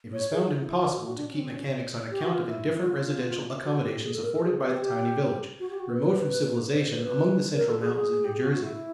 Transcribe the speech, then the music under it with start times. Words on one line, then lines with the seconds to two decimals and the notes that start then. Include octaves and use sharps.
It was found impossible to keep mechanics on account of indifferent residential accommodations afforded by the tiny village, remote from civilization, among the central mountains of New Jersey.
0.13 C#5
0.32 G#4
0.52 E4
0.64 E4
0.77 F4
0.92 F#4
1.04 F#4
1.16 D4
1.30 C#4
1.39 C4
1.49 C#4
1.60 C#4
2.11 G4
2.22 F#4
2.34 F4
2.47 E4
2.81 F#4
2.86 F4
3.65 F#4
3.83 G4
4.04 G#4
4.13 A4
4.23 A#4
4.32 A4
4.43 G#4
4.63 G4
4.82 G4
5.60 F#4
5.70 G4
5.79 F#4
5.90 B4
6.72 B4
6.77 C5
6.90 B4
7.03 B4
7.56 A#4
7.68 A4
7.81 G#4
7.95 G#4
8.25 G4
8.34 G#4
8.43 F#4
8.53 F#4
8.63 E4